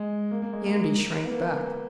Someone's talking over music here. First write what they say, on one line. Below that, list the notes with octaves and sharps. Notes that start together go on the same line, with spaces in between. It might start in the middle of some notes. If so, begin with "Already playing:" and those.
Andy shrank back.
Already playing: G#3
A#3
A#3
G#3
A#3
B3
A#3